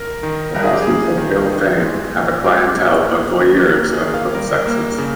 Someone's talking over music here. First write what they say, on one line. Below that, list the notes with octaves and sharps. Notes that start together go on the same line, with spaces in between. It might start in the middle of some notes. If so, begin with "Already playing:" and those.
The houses of ill-fame have a clientele of voyeurs of both sexes.
Already playing: A#4
D#3
G3 A#4
G#4
G4
A#3 G#4
D#3
D#3
G#3
A#2
G#3 G4
A#2
A#3
D#3
A#3
G#4
D#3
F5
G3 A#4
A#3
C#3